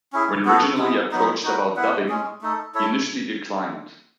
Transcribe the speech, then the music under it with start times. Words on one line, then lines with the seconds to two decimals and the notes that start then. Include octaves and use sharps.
When originally approached about dubbing, he initially declined.
0.13 C#4 E4 G#4
0.45 B3 F#4 A4
0.78 G#3 B3 E4
1.11 F#3 B3 D#4
1.43 D#4 F#4 B4
1.76 B3 E4 B4 F#5
2.09 G#3 C#4 G#4
2.41 A3 D#4 A4
2.74 E4 A4 C#5